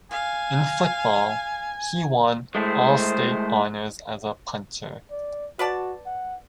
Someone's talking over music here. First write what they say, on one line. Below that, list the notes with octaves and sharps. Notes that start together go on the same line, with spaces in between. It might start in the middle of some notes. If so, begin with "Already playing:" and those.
In football, he won All-State honors as a punter.
F5 G#5
D#3 G#3 A3 E4 C5
D5
F#4 B4 D5 A5
F#5